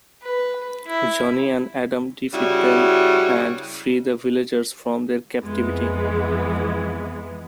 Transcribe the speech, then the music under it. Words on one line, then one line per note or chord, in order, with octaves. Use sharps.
Johnny and Adam defeat them and free the villagers from their captivity.
B4
E4
C#3 G3 E4 F#4
F2 E3 G#3 B3